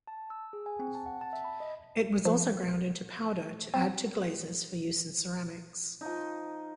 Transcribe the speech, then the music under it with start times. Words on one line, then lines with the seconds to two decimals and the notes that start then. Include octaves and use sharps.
It was also ground into powder to add to glazes for use in ceramics.
0.07 A5
0.30 E6
0.53 G#4
0.66 G#5
0.79 C4
0.95 A5
1.06 F#5
1.21 A5
1.33 E5
1.44 B5
1.60 D#5
2.25 F3
3.74 C4
6.01 F3 D#4